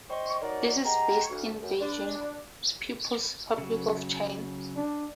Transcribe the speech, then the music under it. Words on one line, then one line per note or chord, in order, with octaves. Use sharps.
It is based in Beijing, People's Republic of China.
C5 D5 D#5 G5 C6 C#6
D#4 F#4 A#4 C#5 D5
G4 G#4 D#5 F#5 G5 A#5
D2
F#2
D4
C#3 F#3
D4